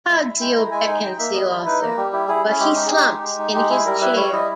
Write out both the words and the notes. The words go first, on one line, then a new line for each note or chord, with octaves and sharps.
Tadzio beckons the author, but he slumps in his chair.
G#3 E5
E4
G#3 G5
E4 A#5
G#3 G#5
D#4 G#5
D#4 G5
A#3 E5
G3 D#5
E4
D#4 B4
A#3 A#4
G3 G4
E4 G4
E4 G#4
C#4
G#4
G#3 G4
D#4 G4
G#4
D#4 G4
G#3
G#3
D#4
G#3 G4
E4 G#4
G3 A#4
E4 B4
G3 C#5
E4 D#5